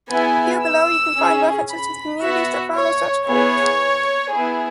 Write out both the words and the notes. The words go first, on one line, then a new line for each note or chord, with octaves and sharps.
Here below you can find references to the communities that follow such cult.
B3 E4 G#4 G#5
E6
C#4 G#4
B5
B3 F#4 E5
C#5
B3 E4 G#4 C#5
B3 E4 G#4